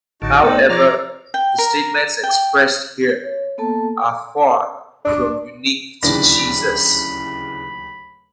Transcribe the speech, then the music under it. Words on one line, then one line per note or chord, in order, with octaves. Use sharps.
However, the statements expressed here are far from unique to Jesus.
A1 A2 D3 D#4 F#4 A5
A3 B3 C4 D#4
F3 F4 C#5 D5 A#5
G5
A#4
G5
C#5
A#3 B3 A4 A5
D4
D1 D#2 C#3 E3 D4 B5 A#6